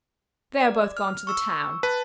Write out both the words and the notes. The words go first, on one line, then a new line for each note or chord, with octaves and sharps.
They're both gone to the town.
D5
F6
C#6 E6
B4 A5